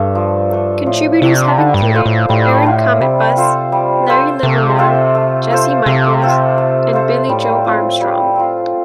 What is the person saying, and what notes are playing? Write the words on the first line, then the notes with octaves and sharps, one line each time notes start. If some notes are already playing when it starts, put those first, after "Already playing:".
Contributors have included Aaron Cometbus, Larry Livermore, Jesse Michaels, and Billie Joe Armstrong.
Already playing: G2 A3 D4 A4
F3
A3 D4 A4
A2 F3
C3 A3 D4 A4
D3 G3
G2
A2
F4 A4 C5
A2
A2 G3
F4 A4 C5
C3 G3
F4 A4 C5
G3
F4 A4 C5
C3 A3
F4 A4 C5
A3
F4 A4 C5
C3 A3
F4 A4 C5
A3
F4 A4 C5
A2 G3
C4 F4
G3
C4 F4